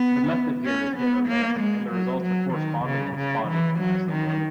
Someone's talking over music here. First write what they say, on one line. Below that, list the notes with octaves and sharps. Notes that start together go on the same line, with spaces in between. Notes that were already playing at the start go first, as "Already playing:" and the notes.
"The method here is hit-or-miss, and the results are correspondingly spotty," Maslin wrote.
Already playing: B3
C#4
B3
A#3
G#3
F#3
F#3
D#3
C#3
C#3
E3
F#3
D#3